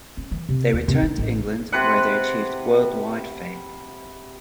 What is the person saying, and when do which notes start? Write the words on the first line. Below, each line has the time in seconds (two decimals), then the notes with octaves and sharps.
They returned to England, where they achieved worldwide fame.
0.17 C#4
0.31 E3
0.49 C3
0.73 D#2
0.88 C3
1.03 E4
1.18 A1
1.72 C3 B4 F#5